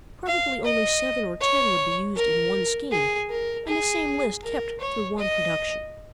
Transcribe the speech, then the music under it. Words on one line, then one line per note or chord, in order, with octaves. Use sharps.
Probably only seven or ten would be used in one scheme and the same list kept through one production.
F5
D#5
C#5
A#4
G#4
A#4
G#4
A#4
C#5
D#5